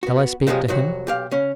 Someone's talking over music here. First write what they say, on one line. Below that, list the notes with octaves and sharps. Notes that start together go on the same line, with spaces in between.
Shall I speak to him?
B3 F#4
G2 C3 F3 F#3 G#3
C2 F2 F#3 F#4
B1 G4 F5
C#3 C#4